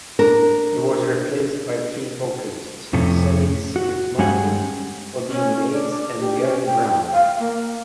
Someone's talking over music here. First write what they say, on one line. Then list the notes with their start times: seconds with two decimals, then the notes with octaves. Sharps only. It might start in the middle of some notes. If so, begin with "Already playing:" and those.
He was replaced by three vocalists: Sennie "Skip" Martin, Odeen Mays, and Gary Brown.
0.19 D4 A#4
2.93 F2 A2 C3 A3 C#4
3.76 F#4
4.18 G2 G#3 C#4 G4 F#5 G#5
5.30 C#4
5.71 D4
6.19 G4
6.42 C#4
6.65 G5
7.13 F5
7.39 A#3